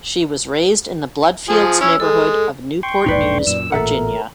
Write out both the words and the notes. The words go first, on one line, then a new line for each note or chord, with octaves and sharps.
She was raised in the Bloodfields neighborhood of Newport News, Virginia.
F3 G#4
C#4 E4 E6
G#3 A4
G5 C6 C#6
E1 A#1 G#2 D#4 B4 D5
F#2 A#2 E6
A1 A#2 A4 A#4 E5 F#5